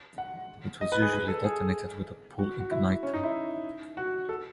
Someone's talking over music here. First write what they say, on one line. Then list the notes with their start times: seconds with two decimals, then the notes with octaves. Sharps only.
It was usually detonated with a pull igniter.
0.18 F#5
0.81 D#5
0.92 B4
1.02 G#4
1.13 B4
1.28 A4
1.44 G#4
2.39 F#4
2.60 F#4
2.71 E4
3.03 C#4
3.14 D#4
3.24 E4
3.97 F#4
4.29 A4